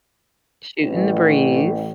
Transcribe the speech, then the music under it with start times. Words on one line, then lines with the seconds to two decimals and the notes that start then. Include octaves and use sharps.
Shooting the breeze.
0.82 A1